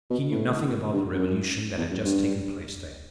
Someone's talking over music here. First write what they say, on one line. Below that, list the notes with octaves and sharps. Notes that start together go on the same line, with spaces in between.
He knew nothing about the revolution that had just taken place there.
B2
A2
G2
F#2
E2
F#2
G2